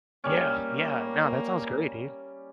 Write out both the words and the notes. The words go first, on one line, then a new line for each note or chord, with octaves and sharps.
Yeah. Yeah. Now, that sounds great, dude.
G3 A#3 C#4